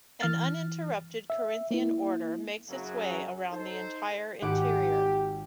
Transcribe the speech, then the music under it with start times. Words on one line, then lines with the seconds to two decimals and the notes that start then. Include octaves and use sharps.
An uninterrupted Corinthian order makes its way around the entire interior.
0.21 E3 F6 A6
1.30 E5
1.71 A#3 E4
2.70 F#2 C#3 F#3
3.52 D#4 A4 C5
4.42 G#1 G4 F#5 D6